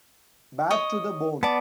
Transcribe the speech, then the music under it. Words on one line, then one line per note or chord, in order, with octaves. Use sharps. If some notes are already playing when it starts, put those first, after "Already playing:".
Bad to the bone.
C#5 D#5 D#6
B3 D5 A5 D6